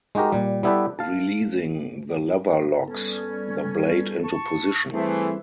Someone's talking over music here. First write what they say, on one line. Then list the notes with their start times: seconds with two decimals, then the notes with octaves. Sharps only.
Releasing the lever locks the blade into position.
0.15 G#3 D#4 F#4 G4 A#4
0.32 A#2 G3
0.63 G3 B3 E4 G4 A4 B4
0.99 F5 A5
2.88 G3 B3 C#4 A4
4.23 A5 C#6
4.93 E3 G3 A3 C4 E4 G#4 C5 E5